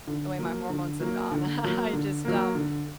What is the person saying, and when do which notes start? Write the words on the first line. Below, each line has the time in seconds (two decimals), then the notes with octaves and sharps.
the way my hormones have gone, I I just, um,
0.07 D3
0.39 F#3 A#3
0.70 D3
1.00 F#3 A#3
1.31 D3
1.63 F#3 A#3
1.93 D3
2.25 F#3 A#3
2.55 D3